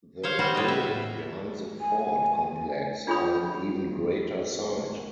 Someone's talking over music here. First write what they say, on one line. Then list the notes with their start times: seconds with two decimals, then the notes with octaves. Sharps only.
The ruins behind the fort complex are an even greater sight.
0.23 C5 C#5 F5
0.39 G3 F#4 C5 F#5
0.54 A2 B4 D#5
0.68 E5
1.81 G#5
3.07 D4 F4 G#4 C#5 B5 D#6